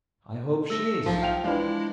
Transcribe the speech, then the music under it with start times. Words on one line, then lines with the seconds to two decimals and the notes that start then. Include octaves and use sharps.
"I hope she is."
0.70 A3 E6 A#6
1.06 B1 F3
1.22 F5 G5 F7
1.44 E3 G#3 D4 E4